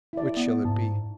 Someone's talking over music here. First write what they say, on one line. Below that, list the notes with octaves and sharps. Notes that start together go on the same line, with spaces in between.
Which shall it be?
E4 D5
B3
G#2 A5